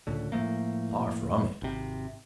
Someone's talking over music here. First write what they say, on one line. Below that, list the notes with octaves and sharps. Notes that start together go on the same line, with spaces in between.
Far from it.
C#2 A2 D3
A2 F3 A3 A#3
G#1 C3